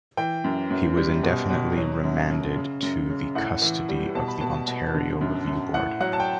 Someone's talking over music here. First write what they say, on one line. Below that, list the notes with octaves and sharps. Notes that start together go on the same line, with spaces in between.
He was indefinitely remanded to the custody of The Ontario Review Board.
E3 G5
F#2
F#2
G3
B2
B2
F#3
F#2
F#2
C#3
F#2
C#3
A2 F#5
E3
G3
B2 A5
B5
B2 A5
B2
D3
F#2
F#2
A2 F#5
F#3 F#5
A5
G5